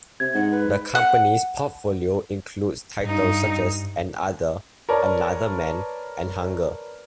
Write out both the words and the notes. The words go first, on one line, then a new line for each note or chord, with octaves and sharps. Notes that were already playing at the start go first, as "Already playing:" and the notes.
The company's portfolio includes titles such as AnOther, Another Man and Hunger.
C3 G#6
G#2 F#5
B4
F#5
G2 D#4
A#4 B4 C#5 D5 A5